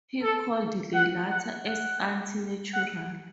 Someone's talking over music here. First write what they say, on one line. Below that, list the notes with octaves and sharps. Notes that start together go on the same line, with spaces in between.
He called the latter as anti-natural.
A4
F#5
F#5
F#5
F#5